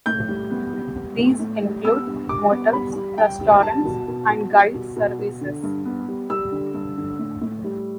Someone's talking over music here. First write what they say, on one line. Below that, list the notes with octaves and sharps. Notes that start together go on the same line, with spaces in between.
These include motels, restaurants, and guide services.
A2 G6
G3
B3
G3
B3
A2
A2
G3
B3 E6
G2
G3 D6
B3
G3 B5
G3
G3 G5
G3
G3 A5
B2
B2
B2
G3
B2
B2
B2
D3
G2
B3
G3
G3 E6
D3
G2
D3
A2
A2
G3